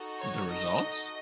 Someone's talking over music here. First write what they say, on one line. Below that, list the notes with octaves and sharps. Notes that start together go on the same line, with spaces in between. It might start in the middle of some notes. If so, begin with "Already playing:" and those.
The results?
Already playing: D#4 F#4 A4
C#5
D#5